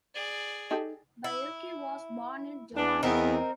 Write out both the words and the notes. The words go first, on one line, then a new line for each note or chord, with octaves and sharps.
Baiocchi was born in Johannesburg.
G#4 D5
D#4 G4 A4
E4
E2 B3 D4
E2 B3 C4 D#4 A#4